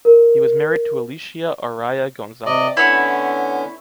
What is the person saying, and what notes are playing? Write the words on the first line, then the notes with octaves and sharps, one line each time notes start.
He was married to "Alicia Araya González".
A#4
C3 D5 D#5
D3 B3 C#4 E4 C#5